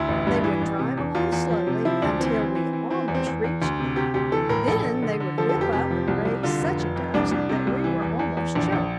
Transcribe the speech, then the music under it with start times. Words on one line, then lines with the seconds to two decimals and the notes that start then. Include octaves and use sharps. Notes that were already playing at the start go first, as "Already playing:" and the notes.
They would drive along slowly until we almost reached them; then they would whip up and raise such a dust that we were almost choked.
Already playing: D2 E4
0.08 A1
0.27 G2
0.44 E3
0.62 A1
0.79 C3
0.97 E2
1.15 E2 F4
1.32 E2
1.50 F3
1.67 C3
1.85 F3 E4
2.02 D2 D4
2.20 E3 C4
2.38 E3
2.55 E3
2.73 E3
2.90 E3 C4
3.08 E2
3.14 C4
3.26 E2
3.44 E2
3.62 D2
3.80 C3
3.96 C3 G4
4.14 D2 G4
4.31 E3 A4
4.49 A2 A#4
4.67 A#1 A4
4.84 A#1
5.02 D3
5.20 D3
5.38 F3 A4
5.49 A4
5.55 F1
5.61 G4
5.73 C3 G4
5.91 F3
6.08 C2
6.25 C2
6.43 D3 F4
6.62 F1
6.79 F1
6.96 F2
7.14 C2 D4
7.32 C2
7.49 C3
7.67 C2
7.84 E3
8.02 E2
8.19 E2
8.37 E2
8.55 A#1 D4
8.72 A#1